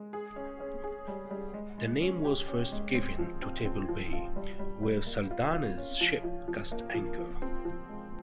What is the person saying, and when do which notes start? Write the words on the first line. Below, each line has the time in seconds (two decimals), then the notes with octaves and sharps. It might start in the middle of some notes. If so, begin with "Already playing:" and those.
The name was first given to Table Bay, where Saldanha's ship cast anchor.
Already playing: G#3
0.13 G#4
0.36 C#4
0.60 C#4
0.84 G#4
1.08 G3
1.31 G3
1.54 G#3
1.78 G#3
2.02 C#4
2.25 G4
2.48 C#4
2.72 G#3
2.95 C4
3.19 F3
3.42 C4
3.65 C4
3.89 F3
4.13 F4
4.36 G3
4.59 G3
4.83 G3
5.06 A#3
5.31 F4
5.53 F4
5.78 C#4
6.01 F3
6.24 F3
6.48 F3
6.72 A#3
6.94 F3
7.18 F3
7.42 C4
7.65 F3
7.89 G#3